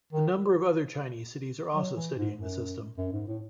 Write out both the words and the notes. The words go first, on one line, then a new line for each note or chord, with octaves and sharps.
A number of other Chinese cities are also studying the system.
D#3
F#3
E3
G#2
F#2
F#2
G#2
A2